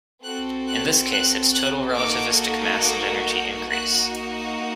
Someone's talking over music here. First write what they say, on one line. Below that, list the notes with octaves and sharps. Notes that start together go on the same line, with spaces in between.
In this case, its total relativistic mass and energy increase.
C4 F#4 A4 F#6
F#6
F#6
F#6
A#3 D#4 F#4 A4 D6
D6
G6
A#3 D#4 F#4 F#6